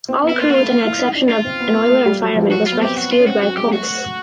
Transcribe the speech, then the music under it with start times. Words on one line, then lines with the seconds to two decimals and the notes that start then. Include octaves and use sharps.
All crew with an exception of an oiler and fireman was rescued by "Comus".
0.09 C4
0.24 B3
0.29 E4
0.39 A#3 F4
0.49 F#4
0.54 F4
0.60 A3
0.70 A#3
0.85 E4
0.99 D#4
1.15 D4
1.29 C#4 F4
1.45 C4
1.60 B3
1.75 A#3
1.90 A3
2.06 G3
2.21 F#3
2.36 F3
2.51 F#3 F#4
2.66 F4
2.72 B3
2.82 C4 G4
2.97 F#4
3.12 B3 F4
3.20 C#4
3.27 C4 F#4
3.42 F#3 F#4
3.57 G#3 G4
3.72 A3 F#4